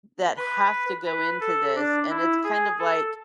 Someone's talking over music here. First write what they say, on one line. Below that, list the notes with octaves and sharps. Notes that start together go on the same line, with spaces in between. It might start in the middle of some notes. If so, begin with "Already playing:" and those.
that has to go into this, and it's kind of, like,
B4
B4
A4
D4
E4
G#4
A4